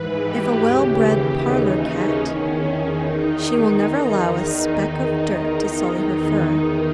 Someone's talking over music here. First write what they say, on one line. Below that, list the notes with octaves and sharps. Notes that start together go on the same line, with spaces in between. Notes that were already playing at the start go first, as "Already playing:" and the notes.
If a well-bred parlour cat, she will never allow a speck of dirt to sully her fur.
Already playing: G#2 E3 B4
G4
D#2 C#3 E3
D#2 C#3 E3 D#4
C#4
E2 D#3 C#4
E2 D#3 D#4
D#4